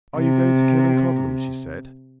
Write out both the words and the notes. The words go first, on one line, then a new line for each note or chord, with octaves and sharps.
"Are you going to Killancodlem?" she said.
C3